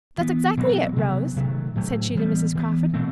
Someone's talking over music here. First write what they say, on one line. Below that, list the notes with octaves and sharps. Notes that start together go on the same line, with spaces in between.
"That's exactly it, Rose," said she to Mrs. Crawford.
E3 B3
B2 F#3 C4
C3 D#3 F#3 B3
C3 D#3 F#3 A3
A2 F#3 A3
E3 G3 B3
E3 B3
B2 A3 C4